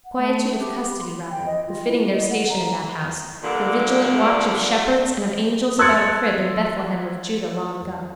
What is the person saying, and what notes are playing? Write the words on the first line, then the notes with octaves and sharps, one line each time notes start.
Quietude of custody, rather, befitting their station in that house, the vigilant watch of shepherds and of angels about a crib in Bethlehem of Juda long ago.
F#5
A3
G4
G4
C6
G5
D#5
F4
E4
D#5
F#5
A#5
G2 A#2 D3
C6 E6 F#6 G#6 A6 C#7